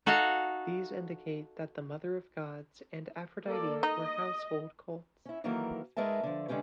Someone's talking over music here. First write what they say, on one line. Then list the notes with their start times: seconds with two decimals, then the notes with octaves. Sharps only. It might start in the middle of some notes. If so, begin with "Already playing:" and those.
These indicate that the Mother of Gods and Aphrodite were household cults.
0.06 D#4 F#4 A4 F5 F#5
3.46 A#3 A4 D5
3.83 D#4 D#5
5.25 C#4 E4
5.44 D#3 E3 F#3 A#3 A4 A#4
5.97 G#2 G#3 A#4 B4 E5 A5
6.23 D3 F3
6.48 D3 G#3 C#4 G4 B4